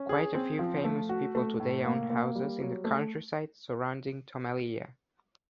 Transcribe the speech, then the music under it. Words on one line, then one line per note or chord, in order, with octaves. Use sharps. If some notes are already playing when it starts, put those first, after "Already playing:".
Quite a few famous people today own houses in the countryside surrounding Tomelilla.
Already playing: C#4
G#4
C4
F3
A3
F#4
A3
A2
A#3
A#3
G3
F#3
A3